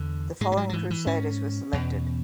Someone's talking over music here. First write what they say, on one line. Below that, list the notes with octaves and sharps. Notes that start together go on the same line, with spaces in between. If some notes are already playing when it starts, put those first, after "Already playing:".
The following Crusaders were selected.
Already playing: E2 D3
G#2 G#3
G#3
F#3
F#3
E3
E3
G#2 C#4
E2 B2